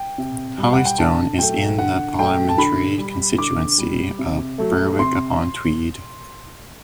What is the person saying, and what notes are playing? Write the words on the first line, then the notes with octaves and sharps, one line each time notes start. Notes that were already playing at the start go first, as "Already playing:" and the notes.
Holystone is in the parliamentary constituency of Berwick-upon-Tweed.
Already playing: G5
C3
G3
F#5
G5
D3 A5
F#3 A3 G5
D3 F#5
F#3 A3 G5
A5
D3 B5
G3
D3 D6
G3
C3
F#3 A3
C3 C6